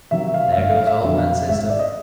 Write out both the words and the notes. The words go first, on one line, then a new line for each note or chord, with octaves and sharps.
"There goes old man System!"
C3 D#3 F#3 E5
F5
E5
G1 F5
F5
E5
F2 D3 F#3
F5
G#1 E5
D5
D#5